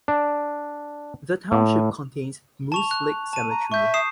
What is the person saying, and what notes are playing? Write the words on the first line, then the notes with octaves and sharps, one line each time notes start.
The township contains Moose Lake Cemetery.
D4
A2
A5 C#6 F7
F#6
A5 D#7
A#5
E5 C#6 G6
D#6 C7 E7